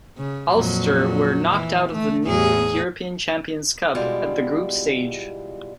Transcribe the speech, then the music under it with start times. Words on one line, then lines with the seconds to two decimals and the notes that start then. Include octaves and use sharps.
Ulster were knocked out of the new European Champions Cup at the group stage.
0.18 C#3
0.53 F2 A#2 F#3
1.49 E3
1.93 A3
2.24 E2 A2 G#4
3.95 B2 G3 G#3 E4 F4